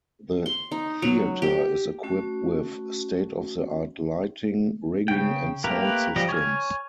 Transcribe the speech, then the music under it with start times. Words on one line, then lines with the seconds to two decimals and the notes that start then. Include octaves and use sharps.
The theatre is equipped with state-of-the-art lighting, rigging and sound systems.
0.46 C6
0.72 D#4
1.02 F#3
1.42 G4
2.03 A3 C#4 F#4
5.08 C#3 G5
5.64 A3 A#3 G4 A#4 B4
6.16 F3 G3 G4 D#5
6.28 C#5 G#5 F6